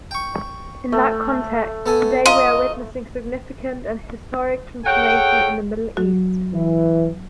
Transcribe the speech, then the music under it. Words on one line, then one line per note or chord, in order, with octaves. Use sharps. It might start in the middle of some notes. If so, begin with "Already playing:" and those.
In that context, today we are witnessing significant and historic transformation in the Middle East.
G5 C#6
A3
B3 A4 G#5
F4 D#5 F5 A#5 C6
G#4 A4 C#5 F#5 G5
F#3 F#4
E3